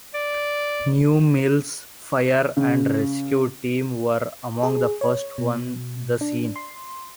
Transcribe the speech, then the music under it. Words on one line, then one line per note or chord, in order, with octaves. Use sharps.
New Mills Fire and Rescue Team were among the first on the scene.
D5
C#3
G#4
C#5
B2
D4
C6